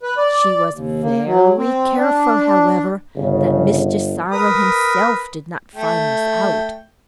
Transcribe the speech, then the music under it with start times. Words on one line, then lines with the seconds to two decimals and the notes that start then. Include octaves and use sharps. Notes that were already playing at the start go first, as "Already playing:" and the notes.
She was very careful, however, that Mr. Cyril himself did not find this out.
0.03 B4
0.17 D5
0.73 D#2
1.02 A#3
1.26 F#3
1.57 C4
1.96 D4
3.17 G1 C#3
4.32 A#4 B4 D#6
5.76 A3 G5